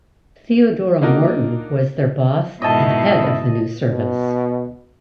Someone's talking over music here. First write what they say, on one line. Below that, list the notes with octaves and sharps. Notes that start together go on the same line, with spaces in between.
Theodora Morton was their boss and head of the new service.
A#3 D4 D#4 F4 F#4 A#4
G#2 B2 D#3 E4 D#5 A5
B2